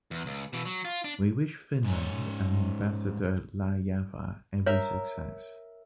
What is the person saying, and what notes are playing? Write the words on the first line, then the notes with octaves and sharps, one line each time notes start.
We wish Finland and ambassador Laajava every success.
E2
C#2
B2 E3
F#3
F4
D4
G#2 C#4
A#4 C#5 E5